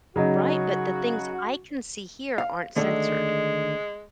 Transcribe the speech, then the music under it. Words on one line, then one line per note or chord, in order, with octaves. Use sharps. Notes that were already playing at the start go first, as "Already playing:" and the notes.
right, but the things I can see here aren't censored.
C#3 F#3 D#4 F#4
F5
D3 D#3 G#3 A3